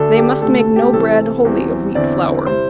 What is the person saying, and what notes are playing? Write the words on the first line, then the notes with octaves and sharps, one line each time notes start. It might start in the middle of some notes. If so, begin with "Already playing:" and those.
They must make no bread wholly of wheat flour.
Already playing: D2 D3 A3 D4 A4
G4
D2 C3 A3 A4
A4
G4
C2 C3 E3 C4 A4
E2 E3 G3 C4
E2 D3 C4 E4 D5
C3 G3 E4 C5